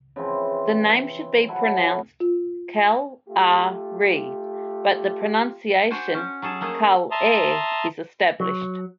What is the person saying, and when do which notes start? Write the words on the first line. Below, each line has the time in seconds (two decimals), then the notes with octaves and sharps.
The name should be pronounced Kal-"ah"-ree, but the pronunciation Kul-"air" is established.
0.16 C#3 E3 F3 C4
1.48 F#3 E4 A4 B4
2.20 F4
3.29 A3 F4 G4
5.91 D4 F#4 C5 G#5
6.14 C#4
6.42 F#3 G#4 A4
6.61 A3 A#3 G#4
7.11 E5 A5 A#5 C6 D#6
8.40 F#3